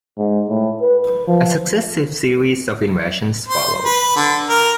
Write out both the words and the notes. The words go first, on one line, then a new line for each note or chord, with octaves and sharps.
A successive series of invasions followed.
G#2
A2
B4
F3
C5
B4
D3
A#4